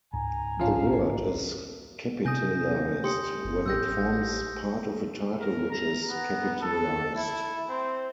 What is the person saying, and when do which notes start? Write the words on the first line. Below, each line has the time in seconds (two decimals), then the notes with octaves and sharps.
The word is capitalized when it forms part of a title which is capitalized.
0.13 C#2 G#2 G#5 A#5
0.59 A1 F3 C#4 F5 C7
2.25 C3 G#5 D#6 G6 A#6
3.04 G4 C6 D#6 C#7
3.45 G1
3.66 A1 G4 E6 G6 A#6
5.40 A#4
5.71 A#5
6.07 B3
6.62 A4
7.16 E4
7.69 C4